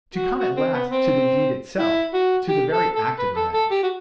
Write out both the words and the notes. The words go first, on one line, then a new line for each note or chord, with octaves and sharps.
To come at last to the deed itself, to the very act of revenge.
F#4
F#4
C4
B3
C4
E4
F#4
G4
A4
A4
B4
A4
A4
G4
F#4